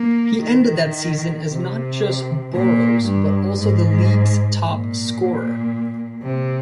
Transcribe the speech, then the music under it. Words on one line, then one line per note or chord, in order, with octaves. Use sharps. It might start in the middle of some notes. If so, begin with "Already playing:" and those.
He ended that season as not just 'Boro's but also the League's top scorer.
Already playing: A#3
D#3
C3
A#2
G2
G#2
A#2
C3